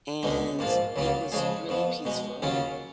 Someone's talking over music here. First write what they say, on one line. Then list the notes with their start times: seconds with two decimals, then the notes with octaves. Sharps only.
and it was really peaceful.
0.23 C#2 B2 G#3 D#4
0.59 A#1 G#2 F3 A#3 F4
0.96 C#2 C#3 F#3 A#3 F4
1.32 C#3 F3 G#3 D#4 G#4
1.69 F2 F3 B3
2.05 B2 G#3 D#4
2.42 D#2 C#3 F#3 C#4 F4